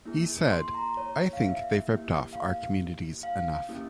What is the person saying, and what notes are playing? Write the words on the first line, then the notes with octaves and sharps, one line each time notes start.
He said: I think they've ripped off our communities enough.
A#3 E4 G#4
C6
A#5
C#5
F5
E5
A#3 E4 G4
F5
F5
A#3 C#4 E4 G4